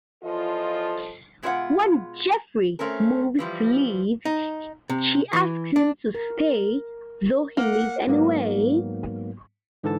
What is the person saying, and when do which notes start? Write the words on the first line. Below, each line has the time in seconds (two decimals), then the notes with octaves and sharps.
When Jeffrey moves to leave, she asks him to stay, though he leaves anyway.
0.23 E2 F3 F4 A4 D#5
1.43 B2 G#3 F4 C5 E5 F#5
2.79 A3 C4 C#4 A#4
3.39 E3 F3 G3
4.25 D#4
4.90 C3
5.33 E3
5.76 D4
6.15 A#4
7.57 A#3 F#5
8.07 G#2 F#3 A#3 B3
9.83 G#2 D3 E3 A4 A5